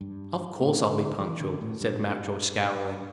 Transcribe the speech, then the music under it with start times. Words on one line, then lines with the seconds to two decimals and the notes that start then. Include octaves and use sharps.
"Of course I'll be punctual," said Mountjoy, scowling.
0.01 G2
0.60 A2
0.90 D3
1.20 E3
1.40 D3
1.61 A2
1.81 G2